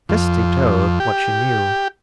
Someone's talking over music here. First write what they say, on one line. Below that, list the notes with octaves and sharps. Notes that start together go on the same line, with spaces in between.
Kirsty told what she knew.
F2
G4